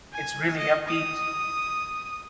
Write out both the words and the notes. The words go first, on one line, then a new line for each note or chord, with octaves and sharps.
It’s really upbeat.
G#5
D#5
D#6